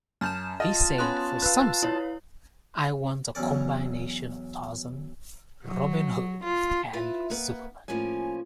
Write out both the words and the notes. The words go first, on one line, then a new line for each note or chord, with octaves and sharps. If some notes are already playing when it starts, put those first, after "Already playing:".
He said, For Samson, I want a combination Tarzan, Robin Hood, and Superman.
F#2 A5 F6 G6 E7
F4 D#5 A5 F6
B3 C#4 B5 C6 D#6 F#6
B4 F5 E6 F#6
E4 C#5
B1 E2 C#4 D5
F#3
F4
E4 F4 B4 E5
A#3 B3 B4
A2 F3 A#3 C#4 G#5